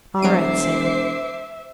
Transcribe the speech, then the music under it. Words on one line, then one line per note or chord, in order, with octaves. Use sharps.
"All right, Sam."
E1 F#3 C5 E5 D6 C7 D7 D#7